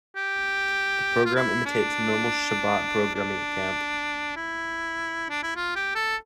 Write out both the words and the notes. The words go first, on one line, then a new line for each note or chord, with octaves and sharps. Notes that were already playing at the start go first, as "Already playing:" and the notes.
The program imitates normal Shabbat programing at camp.
G4
F4
E4
D4
D4
E4
D4
E4
F4
G4
A4